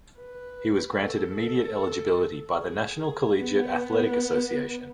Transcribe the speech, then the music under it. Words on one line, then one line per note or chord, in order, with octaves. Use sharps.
He was granted immediate eligibility by the National Collegiate Athletic Association.
B4
A4
G#4
B3